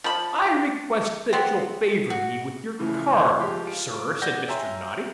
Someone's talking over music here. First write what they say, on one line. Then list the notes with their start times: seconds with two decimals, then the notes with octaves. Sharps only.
'I request that you'll favour me with your card, Sir,' said Mr. Noddy.
0.04 F3 B5
1.33 B3 C4
2.10 F#4
2.79 A2 C#3 E3 F3
3.39 F3 G#3 G4
3.65 F4 D7
4.21 D5 F#5 G6 A#6
4.48 C#5 E5 G5 G#5 A#5 C6